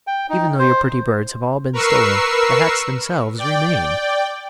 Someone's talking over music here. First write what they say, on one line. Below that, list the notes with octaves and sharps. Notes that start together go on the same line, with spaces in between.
"Even though your pretty birds have all been stolen the hats themselves remain."
G5
D#4
C5
A#4 B4 C#6 E6 C7
D5 G5